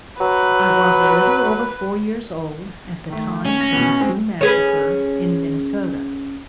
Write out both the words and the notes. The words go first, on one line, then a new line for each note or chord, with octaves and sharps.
I was a little over four years old at the time of the "Sioux massacre" in Minnesota.
F#3 B4
D#3 A3
C#4
A#6
B2 E3 B3
G#3 C4 C#4
C#4 G#4 B4